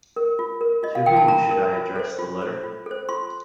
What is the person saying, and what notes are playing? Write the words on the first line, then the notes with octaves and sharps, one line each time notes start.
To whom should I address the letter?
A#4
F4
A#4
F4 D#5
F5
A#4 G5
A5
F4 A#5
A#4
F4
A4 C5
F4
A4 C5
F4
A4 C5
F4 C6